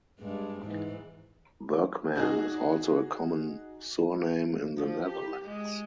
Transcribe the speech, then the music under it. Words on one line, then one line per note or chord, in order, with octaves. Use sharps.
Bergman is also a common surname in the Netherlands.
G2 G#3
G#2 E3
D#4 F#4 G#4
F3
G4
G#3